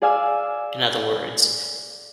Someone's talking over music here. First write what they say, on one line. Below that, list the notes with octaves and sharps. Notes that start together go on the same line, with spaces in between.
in other words.
G#4 D5 F5 G#5 D#6 E6